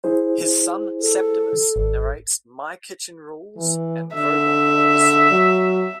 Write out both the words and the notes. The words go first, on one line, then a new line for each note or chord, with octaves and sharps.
His son Septimus narrates "My Kitchen Rules" and "Robot Wars".
E4 G#4 C5
A4
G#1
E3
D3 E5
F#3